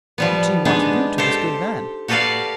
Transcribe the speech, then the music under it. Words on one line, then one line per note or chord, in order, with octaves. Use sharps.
What do you want to do to this good man?
F3 G3 B3
G#3 B3 D4 D#4
G4 A4 C5
F#4 G4 A4 B4 D5 F5